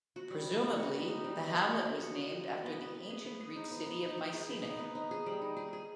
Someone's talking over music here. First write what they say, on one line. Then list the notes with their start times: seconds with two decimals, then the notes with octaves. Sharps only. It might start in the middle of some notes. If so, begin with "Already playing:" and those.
Presumably the hamlet was named after the ancient Greek city of Mycenae.
0.16 F#4
0.30 G3
0.47 D#4
0.62 G3
0.77 F#4
0.93 B3
1.09 D#4
1.24 G3
1.39 B3
1.54 F#4
1.70 F#4
1.86 B3
2.01 F#4
2.17 D#4
2.32 G3
2.48 F#4
2.64 B3
2.79 B3
2.94 B3
3.10 G#4
3.25 B3
3.40 G#4
3.56 D#4
3.71 B3
3.86 B3
4.03 D#4
4.18 D#4
4.33 G#4
4.49 B3
4.65 D#4
4.79 B3
4.95 D#4
5.11 G#4
5.26 G3
5.42 D#4
5.57 G#4
5.73 G#4